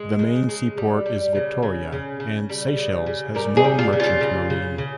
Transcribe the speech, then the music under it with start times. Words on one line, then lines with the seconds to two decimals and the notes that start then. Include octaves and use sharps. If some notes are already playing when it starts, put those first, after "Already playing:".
The main seaport is Victoria, and Seychelles has no merchant marine.
Already playing: G#3
0.19 C#3
0.49 G#3
0.77 G3
1.06 G3
1.35 C#3
1.63 C#3
1.92 C#3
2.20 C#3
2.49 G3
2.78 C#3
3.06 C#3
3.35 G3 A#4
3.57 G#4
3.64 G3
3.79 F4
3.93 C#3
4.00 F4
4.21 C#3
4.50 C#3
4.78 C#3